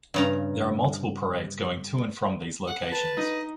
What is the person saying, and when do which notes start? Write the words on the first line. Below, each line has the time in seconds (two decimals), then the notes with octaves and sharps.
There are multiple parades going to and from these locations.
0.14 G2 C#3 A#5
2.67 F#5
2.92 B4 A5
3.17 D#4 D#5